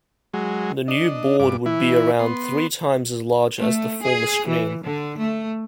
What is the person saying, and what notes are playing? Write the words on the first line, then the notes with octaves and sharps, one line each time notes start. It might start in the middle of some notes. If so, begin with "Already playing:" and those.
The new board would be around three times as large as the former screen.
F#3 G#3
D4 D#5
G2 D6
E3 E4
B3 C6
A3
G#4
E3
D3
A3